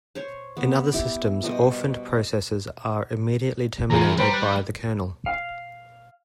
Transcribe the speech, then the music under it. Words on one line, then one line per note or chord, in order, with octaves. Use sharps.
In other systems orphaned processes are immediately terminated by the kernel.
C5 C#5
B3
E4 G4
B2 G3 C5 D#5
E2 F4 G#4 A#5
G3 B4 C5 A#5
F#6
F5